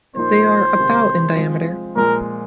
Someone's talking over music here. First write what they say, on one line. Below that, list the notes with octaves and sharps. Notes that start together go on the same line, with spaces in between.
They are about in diameter.
A#2 F3 A#3 D#4 C5
C3 D#3 G#3 D#4
F3 G#3 C4 F4
A#2 F3 G#3 A#4